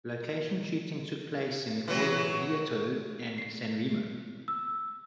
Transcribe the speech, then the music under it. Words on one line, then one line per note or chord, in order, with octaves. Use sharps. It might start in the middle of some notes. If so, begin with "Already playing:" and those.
Location shooting took place in Orvieto and San Remo.
E3 F#3
C7
E6